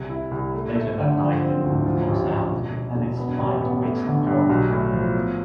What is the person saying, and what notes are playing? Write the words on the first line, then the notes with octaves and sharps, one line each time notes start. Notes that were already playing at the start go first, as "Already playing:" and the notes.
Later that night, the moon comes out and its light wakes up Porky.
Already playing: C2 C3
E4
C2
A3
A3
D3
F3
C4
D2
F3
A1
F3
E1
E1
E1
B3
A1
B3
A3
D3
G2
B1
A2
F3
B3